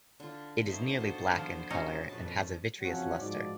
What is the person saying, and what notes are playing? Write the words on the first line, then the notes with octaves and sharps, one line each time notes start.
It is nearly black in color and has a vitreous luster.
D3 F4
D3 A3 B3 D#4 C5
F4 F#4 A4
F3
F#3 C#4 D#4 E5
F2 A#2 C#3 B4 A5
F#1 F3 F#3 C4 C#4 F#5
G#2 F3 D#4 F#4 D5